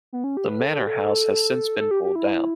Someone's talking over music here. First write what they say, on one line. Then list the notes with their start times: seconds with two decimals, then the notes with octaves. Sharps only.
The manor house has since been pulled down.
0.13 B3
0.24 C#4
0.37 G4
0.48 B4
0.60 A4
0.72 A4
0.79 G4
0.87 A4
1.80 A4
1.91 G4
2.03 G4
2.16 E4